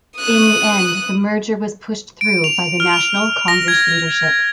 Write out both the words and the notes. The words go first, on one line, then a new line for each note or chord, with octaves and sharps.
In the end the merger was pushed through by the national Congress leadership.
D#6 F#6
D7
F7
F6
F7
A#6
G#6